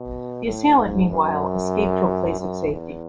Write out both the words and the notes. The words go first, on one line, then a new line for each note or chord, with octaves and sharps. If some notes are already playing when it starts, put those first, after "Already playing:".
The assailant meanwhile, escaped to a place of safety.
Already playing: B2
A2
G#2
F#2
F#2
E2